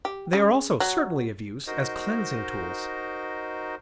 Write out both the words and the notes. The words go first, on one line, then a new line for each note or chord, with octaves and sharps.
They are also certainly of use as cleansing tools.
G4
C#3
F#3
D#4 F#4 A#4 C5 D#5